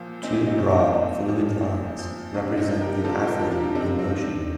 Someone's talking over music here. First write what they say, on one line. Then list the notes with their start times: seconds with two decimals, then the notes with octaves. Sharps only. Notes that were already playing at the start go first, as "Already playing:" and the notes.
Two broad fluid lines represent the athlete in motion.
Already playing: A#2 F3 F4
0.23 A#2 C4 D#4
0.46 C4 D#4
0.58 F3
0.70 C4 D#4
0.94 A#2
1.28 F3
1.64 A#2
1.99 F3
2.34 C3 D4
2.58 C4 D#4
2.70 F3
2.81 G4 A#4
3.04 C3 F4 A4
3.27 G4 A#4
3.39 F3
3.51 D4 F4
3.75 C3 C4 D#4
3.99 C4
4.10 D#3
4.16 C4
4.21 D4